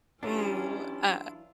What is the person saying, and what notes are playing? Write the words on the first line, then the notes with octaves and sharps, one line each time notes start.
Ooh, uh,
E3 F#3 C#4 D4 E4 F4 G4